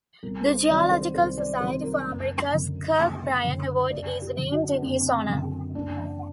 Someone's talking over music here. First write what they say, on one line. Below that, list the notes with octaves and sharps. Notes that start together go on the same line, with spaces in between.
The Geological Society of America's Kirk Bryan Award is named in his honour.
C2 A#4
C5
C3 D#3 F#3 D5
C5
C2 C5
D5
C3 D#3 F#3 C5
A#4
F#1
F#2 D3
F#1
F#2 D3
F#1 D5
G4
F#2 D3
F#4
D4
F#1 C4
F#2 D3
F#1 D4